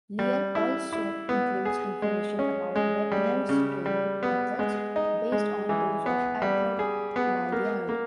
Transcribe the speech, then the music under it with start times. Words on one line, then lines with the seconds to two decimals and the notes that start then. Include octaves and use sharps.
Lear also includes information about Wetmore's training methods, based on those of Arthur Lydiard.
0.19 G3
0.55 E4
0.93 E4
1.29 B3
1.65 G#4
2.02 G#3
2.39 C#4
2.76 G#3
3.12 G3
3.49 C#3
3.86 G3
4.23 B3
4.59 G#3
4.96 D#4
5.32 G#3
5.69 E3
6.06 B3
6.42 G3
6.79 G#4
7.16 B3
7.52 A#3
7.89 A#3